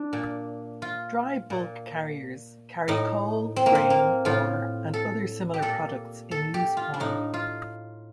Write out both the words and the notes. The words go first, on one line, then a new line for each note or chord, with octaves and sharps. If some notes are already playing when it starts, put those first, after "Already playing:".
Dry bulk carriers carry coal, grain, ore and other similar products in loose form.
Already playing: D4
A#2
F4
A#2
A2 D#4
C4
A#3
C4
A#3
A2 F4
A4
G4
A#2 A4
A4
G4
F4
D4
A2 D#4
F4